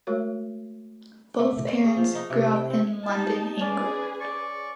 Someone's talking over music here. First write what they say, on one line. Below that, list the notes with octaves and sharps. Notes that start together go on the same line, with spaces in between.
Both parents grew up in London, England.
G#3 A3 F#4 A#4 C#5
A3
C#5
G#4
F3
D#4
C3
E4
G5
C4
D#4 G4 A5
C#4 G#4 B4 D5
D5 C#6